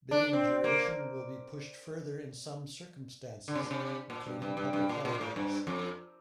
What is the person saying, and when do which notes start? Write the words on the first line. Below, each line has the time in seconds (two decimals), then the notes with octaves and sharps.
Bidding duration will be pushed further in some circumstances, including public holidays.
0.11 D4
0.33 C4
0.64 A#3
3.48 D3
3.56 C3
3.64 A#2
3.71 C3
4.10 A#2
4.27 G2
4.42 G2
4.57 G2
4.73 G2
4.89 A#2
5.05 A#2
5.21 A2
5.36 G2
5.67 F2